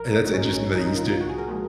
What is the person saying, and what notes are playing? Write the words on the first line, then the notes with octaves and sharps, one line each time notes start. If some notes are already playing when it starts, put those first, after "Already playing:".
And that's interesting that they used to
Already playing: A#1 A#4
D#4
G#2 D#3 F#3
C#4
A#1 C#4
D#4
G#2 D#3 F#3
F4
F4
C2 F#4
G#4
A#4
A#2 F3 G#3